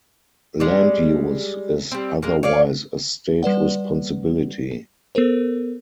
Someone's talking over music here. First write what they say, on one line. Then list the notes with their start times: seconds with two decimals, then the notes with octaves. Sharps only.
Land use is otherwise a State responsibility.
0.60 G3 G#3
1.92 G3 C4
2.23 G#3 A#3
2.43 C#5 D5 F5
3.43 G3 B4 D5 F#5
5.15 B3 A4 A#4 C5